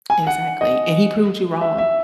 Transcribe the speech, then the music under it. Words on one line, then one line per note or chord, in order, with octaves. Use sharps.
Exactly, and he proved you wrong,
G#5
F#5
D#5
E5
E5